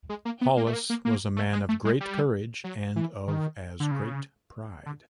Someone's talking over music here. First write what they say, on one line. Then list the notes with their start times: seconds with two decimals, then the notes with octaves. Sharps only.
Holles was a man of great courage and of as great pride...
0.09 G#3
0.25 A#3
0.41 B3
0.57 A#3
0.66 A3
0.73 A#3
0.90 A#3
1.05 A#3
1.36 A3
1.53 G#3
1.69 A3
1.85 G#3
2.00 G3
2.64 F#3
2.96 E3
3.28 D#3
3.80 D3
3.91 C#3
4.86 D3